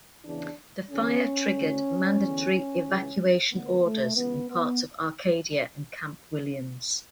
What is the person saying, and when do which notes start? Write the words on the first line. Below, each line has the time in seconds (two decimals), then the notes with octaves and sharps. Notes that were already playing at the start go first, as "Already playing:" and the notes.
The fire triggered mandatory evacuation orders in parts of Arcadia and Camp Williams.
0.24 E2 C#3 E3 D4
0.90 E2 D3 C#4
1.55 D2 D3
2.21 E2 D3
2.86 C#2 C#3 E3
3.51 D2 D3 B3
3.84 A3
4.16 C#2 C#3 E3 B3
4.49 B3